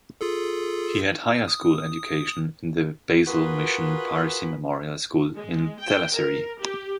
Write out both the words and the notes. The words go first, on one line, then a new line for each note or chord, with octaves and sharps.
He had higher school education in the Basel Mission Parsi Memorial School in Thalassery.
F4 G#4 A4
D#6
F4 F#4 G#4 A#4 B4
G#3
G5
A#4
G4